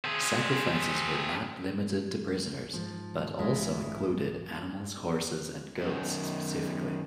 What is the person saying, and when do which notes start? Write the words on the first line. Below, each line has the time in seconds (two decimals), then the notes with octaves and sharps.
Sacrifices were not limited to prisoners but also included animals, horses and goats specifically.
0.04 C4 G#4
2.73 G#2 F3
3.39 A#1 E2 G#2 G#3 E4 F4
5.78 F#2 D#3